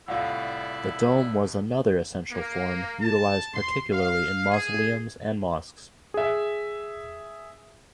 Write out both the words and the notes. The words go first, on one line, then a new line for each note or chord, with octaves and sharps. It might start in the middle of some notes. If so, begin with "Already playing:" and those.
The dome was another essential form utilised particularly in mausoleums and mosques.
C2 A2 E4 F4 D5 F5 F#5
A#3
A5
C6
F5
G#4
G#4 E5